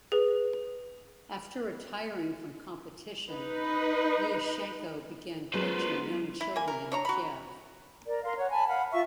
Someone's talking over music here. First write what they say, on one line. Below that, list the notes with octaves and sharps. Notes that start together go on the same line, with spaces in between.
After retiring from competition, Liashenko began coaching young children in Kiev.
G#4 B4
D#4 B4
F#3 G#3 B3 C#4 F4 G#4 B4 C5
E4
A#3 G#5
A#4
D4 C#5 A#5
F#4 B5
A#4 D5
A#4 F5 C6
C#5 F#5
G#5 A5 B5
F5 F#5 B5
F4 E5 C#6